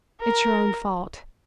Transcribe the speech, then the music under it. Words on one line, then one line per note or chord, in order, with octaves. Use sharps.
'It's your own fault.
A#4